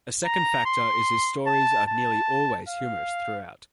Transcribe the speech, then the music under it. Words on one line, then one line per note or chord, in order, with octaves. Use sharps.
A second factor is his stories are nearly always humorous throughout.
A#5
C6
A5
A5
F5